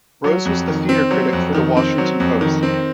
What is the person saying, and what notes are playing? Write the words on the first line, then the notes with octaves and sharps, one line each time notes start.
Rose was the theatre critic for the "Washington Post".
F#3
F2
D#3
C4
F#3
F2
D#3
C4
F#3
F2
D#3
C4